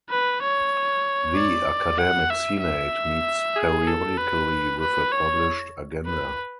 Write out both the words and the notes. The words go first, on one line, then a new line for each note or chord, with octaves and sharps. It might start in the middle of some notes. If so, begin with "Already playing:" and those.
The academic senate meets periodically with a published agenda.
B4
C#5
D5
F#5
E5
E5
G#4
A4
B4
B4
C#5
B4